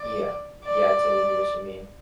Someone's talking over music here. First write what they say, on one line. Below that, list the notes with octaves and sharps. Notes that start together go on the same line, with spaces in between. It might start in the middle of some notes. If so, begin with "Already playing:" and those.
Yeah. Yeah, I totally get what you mean.
Already playing: D5
D5